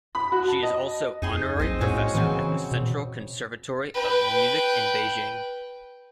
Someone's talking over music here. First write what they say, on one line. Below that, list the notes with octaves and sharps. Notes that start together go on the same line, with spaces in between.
She is also honorary Professor at the Central Conservatory of Music in Beijing.
B5
F#4
A5
D#5
F2 D#4 G#4 C6
B1 C4 C5 D#5
A2 G#3 C#4 F#4
C#3 E3 F#3 C4
B2
B4 G5